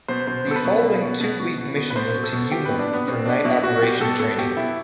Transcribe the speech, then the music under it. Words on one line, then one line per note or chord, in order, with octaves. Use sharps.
The following two-week mission was to Yuma for night operation training.
B2 C5
B2 C5
B2 A4
B4
B2
B2
B2
B2
B2
B2
B2
B4
B2 C5
B2
A4
B2
B2 G4
B2 B4
D4
B2
B3
B2 C4
B2 D4
B2 E4
B2 F#4
B2 G4
B2 A4
B2 A4
B2 G4
B2 E4